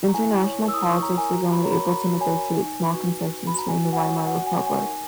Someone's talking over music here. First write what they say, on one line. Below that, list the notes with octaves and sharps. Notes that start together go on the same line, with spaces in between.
International politics was only able to negotiate small concessions during the Weimar Republic.
A#5
E4 G#5
E4
C#5
A#4
E6
E4 D#6
E4 C#6
C#5 A#5
A#4 G#5
F#4 A#5
F#4
B5
C#5 A#5
B5
A#4
B5
F#4 A#5
F#4
C#5 G#5
A#4
D#4
D#4
B4
F#4
D#4
D#4
B4
B5
F#4 A#5
F#4 G#5
F#4
F#5
C#5 G#5
A#4
F#4 F#5
F#4 G#5
C#5
A#4 G#5
D#4